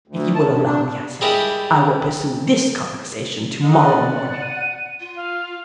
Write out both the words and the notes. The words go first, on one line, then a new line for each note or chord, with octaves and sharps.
"If you will allow me," I said, "I will pursue this conversation to-morrow morning."
D2
A5
G2
D4
G3 G#3 E4 G4 A#4 D#5
A4 D#5 F#5
D5
D#7
F4
F5